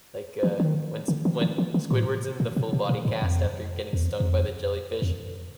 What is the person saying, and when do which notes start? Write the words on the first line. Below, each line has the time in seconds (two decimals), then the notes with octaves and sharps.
like, uh, when s when Squidward's in the full-body cast after getting stung by the jellyfish,
0.43 E3
0.60 D#3
1.08 D3
1.25 D#3
1.41 D#3
1.58 E3
1.74 D#3
1.91 A2
2.40 A#2
2.56 B2
2.73 B2
2.89 A#2
3.05 G#2
3.22 F2
3.93 E2
4.04 F2
4.20 F2
5.02 F2